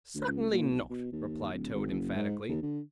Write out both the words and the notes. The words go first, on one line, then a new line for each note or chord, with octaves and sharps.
'Certainly not!' replied Toad emphatically.
D2
C#2
A#2
B1
B2
D#2
D1
G#1
F#1
G#2
D#2
D3